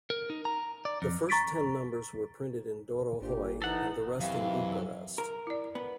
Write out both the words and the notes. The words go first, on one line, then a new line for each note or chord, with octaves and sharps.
The first ten numbers were printed in Dorohoi, and the rest in Bucharest.
A#4
D#4
A#5
D5
F2
A#5 C#6 A6 B6 D7
G#1 A#2 D4 G4 C5
E3 D#4 A4 F#5
F#2 C3 D#3 E3 F5
A#4 A#5
E4 D5
B3